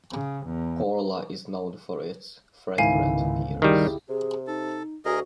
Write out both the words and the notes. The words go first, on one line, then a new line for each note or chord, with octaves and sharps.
Korla is known for its "fragrant" pears.
C#3
E2
G1 C#2 G#2 D#3 E4 F5 G#5
D#3 G3 E4 G4 G#4
C3 G#4
D#4 A4
D2 F#4 G#4 A#4 D#5